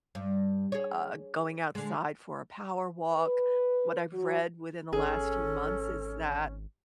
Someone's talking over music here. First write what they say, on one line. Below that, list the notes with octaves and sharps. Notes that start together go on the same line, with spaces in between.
uh, going outside for a power walk. What I've read within the last few months is that
G2
G#4 C#5
D3 G#3
B4
F#3
G#1 C#4 G#4 A4